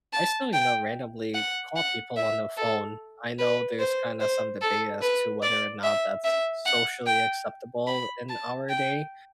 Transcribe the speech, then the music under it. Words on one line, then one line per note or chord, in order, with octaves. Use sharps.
I still, you know, randomly call people on the phone. I know there's kinda some debate as to whether or not that's socially acceptable in our day,
A5
G5
F#5
F#5
E5
A4
B4
C5
C5
A4
B4
D5
E5
E5
F#5
G5
B5
A5
G5